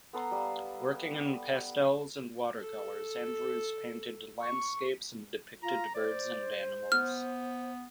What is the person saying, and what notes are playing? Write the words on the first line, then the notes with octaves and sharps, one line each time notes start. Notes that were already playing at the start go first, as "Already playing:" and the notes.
Working in pastels and watercolours Andrews painted landscapes and depicted birds and animals.
B3 A4 A#5 C6
G3 F5
A4
C#6
F4 A#5
C5 D5
B3 F6